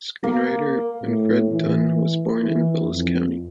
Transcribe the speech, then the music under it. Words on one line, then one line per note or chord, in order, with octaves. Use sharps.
Screenwriter Winifred Dunn was born in Vilas County.
A#3
A2
E3
E3
F2